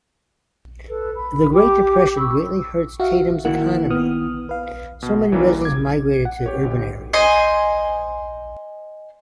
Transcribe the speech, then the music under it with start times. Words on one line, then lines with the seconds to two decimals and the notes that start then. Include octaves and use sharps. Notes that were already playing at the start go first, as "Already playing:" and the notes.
The Great Depression greatly hurt Tatums' economy, so many residents migrated to urban areas.
0.88 A4 B4
1.13 B5
1.52 G4 D6
2.16 B5 C#6 E6
3.00 F#4 E5 F5
3.45 D#3 A#3 E4 F#5
3.90 B3 D#6 F6
4.49 B4 F5
5.03 B2
5.32 E3 F#3 G3 A#3 C#4 E4
5.62 D6 G#6
6.25 F#5
6.46 G4 C#5
6.63 G1 G4
7.13 C5 D#5 G#5 C6